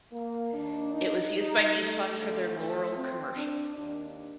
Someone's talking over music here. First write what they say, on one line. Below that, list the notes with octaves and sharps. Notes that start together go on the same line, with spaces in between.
It was used by Nissan for their Laurel commercial.
A#3
D#2 D#3 D4
D#4
D#4
A3
D2 D3 F3
A3
C4
D4
D#2 D#3 D4